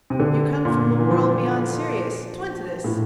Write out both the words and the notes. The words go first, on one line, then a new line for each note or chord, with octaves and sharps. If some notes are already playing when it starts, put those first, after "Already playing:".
You come from the world beyond Sirius, twin to this.
C3
D3
A#2
E3
F3
A2